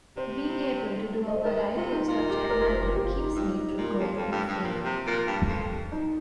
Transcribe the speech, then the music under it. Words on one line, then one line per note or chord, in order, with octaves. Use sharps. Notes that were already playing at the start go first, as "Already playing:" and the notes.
Being able to do a variety of subject matter keeps me from going insane.
C3 C5
D#5
C5
G2 A#4
C3 F4
D#4
A#2 F4
G4
A#4
C5
G4
A#4
G4
F4
D#4
G4
G2 F4
D#4
G4
A#2 F4
A#4
F2 G4
F2
G2
G2
A#2
C3
A#2
G2
F2
D#4